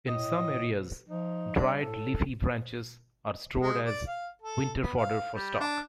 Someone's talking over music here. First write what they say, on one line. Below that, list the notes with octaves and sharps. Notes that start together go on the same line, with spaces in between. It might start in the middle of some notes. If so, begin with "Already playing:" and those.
In some areas, dried leafy branches are stored as winter fodder for stock.
A2 D#5
F3 D#4
G3 D4
A2 A4
G#3
D5
F5
A4
B3
F5
G3
D4